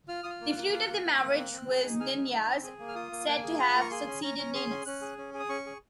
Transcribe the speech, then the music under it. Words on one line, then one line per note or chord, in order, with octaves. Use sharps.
The fruit of the marriage was Ninyas, said to have succeeded Ninus.
F4 F6
F4 D#6
F6
A#3
F#6
A#3
F4 F#6
A#3
A#3
A#3
C4
C4
G#4
D#4
G#4 F6
D#4
D#4
C4
G#4
A#3
F6
F4 D#6
A#3
A#3 G#5
G#4
F4 A#5
A#3
C#6
G#4 C6
C#4
C#4 A#5
C#4
G#4 C6
C#4
C#4 F#6
G#4
C#4
G#4
D#6
C#4 C#6
G#4